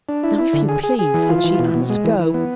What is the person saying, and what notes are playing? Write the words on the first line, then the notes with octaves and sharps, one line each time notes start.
'Now, if you please,' said she, 'I must go.
D4
E4
E4
D3
G#4
G#4
G#4
E3
F4
E3
B2
B2
G#3
E3
E3
B3